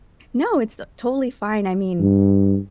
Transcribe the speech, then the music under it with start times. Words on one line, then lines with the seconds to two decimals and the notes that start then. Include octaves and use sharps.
No, it's, uh, totally fine. I mean,
2.00 G2